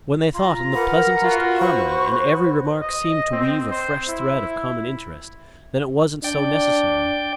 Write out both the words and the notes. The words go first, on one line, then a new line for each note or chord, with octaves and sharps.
When they thought in the pleasantest harmony and every remark seemed to weave a fresh thread of common interest, then it wasn't so necessary.
F4 A#5 C6
A#4 B4 F#5
F4 F#4
B4 C5 C#6
D#5
C4
C5
E4
D4 D5 G5